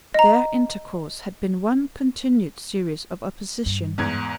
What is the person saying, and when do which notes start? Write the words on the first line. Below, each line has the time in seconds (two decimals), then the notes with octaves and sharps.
Their intercourse had been one continued series of opposition.
0.14 D#5 A#5
3.66 G2
3.98 E2 G#2 G#6